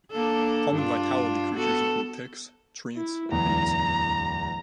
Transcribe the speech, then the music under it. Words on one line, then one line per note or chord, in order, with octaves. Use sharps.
Common Vitality creatures include ticks, treants, and bees.
A#3 D4 A4
G2 D4 F4
B3 F#4 A4
E4
D1 E2 A#5